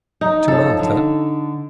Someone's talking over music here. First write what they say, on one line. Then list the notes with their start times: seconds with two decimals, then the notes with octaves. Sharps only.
"To Malta?"
0.21 D#4
0.48 F3 A4 C#5
0.79 D3 D#4